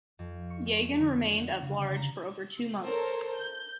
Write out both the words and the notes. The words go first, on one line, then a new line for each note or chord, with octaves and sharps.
Yagan remained at large for over two months.
F2
C#6
G#3
D3
F#5
C#3
A#5
A4 A#4 C5 C#5
G6